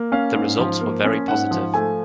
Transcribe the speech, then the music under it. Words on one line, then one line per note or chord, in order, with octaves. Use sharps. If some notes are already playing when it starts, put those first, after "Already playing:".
The results were very positive.
Already playing: A#3
C#4 F5
G#2
F3
A#3
C#4
G#2 F#5
F3
A3 G#5